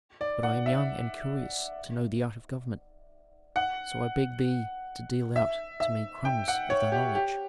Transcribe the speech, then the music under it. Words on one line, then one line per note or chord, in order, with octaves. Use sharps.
But I am young and curious to know the art of government, so I beg thee to deal out to me crumbs of thy knowledge.
D5
F#5
E5
F#5
E5
E5
G5
F#5
C#5
G4
G4